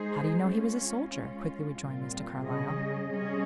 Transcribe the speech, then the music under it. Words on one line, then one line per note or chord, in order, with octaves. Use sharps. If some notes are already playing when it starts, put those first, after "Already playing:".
"How do you know he was a soldier?" quickly rejoined Mr. Carlyle.
Already playing: G#3 D#4 G#4 C5
G#3 C#4 F4
G#3 C#4 F4
A#2 G3 C4 F4
C#3 G3 C#4 G#4 D#5
C3 G3 C#4 G#4 D#5